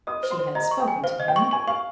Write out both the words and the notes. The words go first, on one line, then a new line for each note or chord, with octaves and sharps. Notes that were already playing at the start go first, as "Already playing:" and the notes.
She had spoken to him.
D#5 D#6
C5
C6
C5
D#5 A#5
C#6
G5
G#5
C5 F5
D#5
G5
C#6
G#5 C#6
F5 C#6